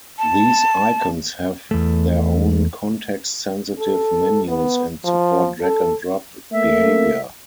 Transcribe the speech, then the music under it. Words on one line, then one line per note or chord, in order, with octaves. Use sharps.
These icons have their own context-sensitive menus and support drag and drop behaviour.
A5
E2 A3
A4
B3
F3
A4
A3 A#3 E5